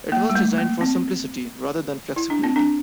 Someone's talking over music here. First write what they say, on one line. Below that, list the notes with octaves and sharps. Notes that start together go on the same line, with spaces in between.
It was designed for simplicity rather than flexibility.
A#3
G3
A3
A#3
C4
E4
D4
C4
D4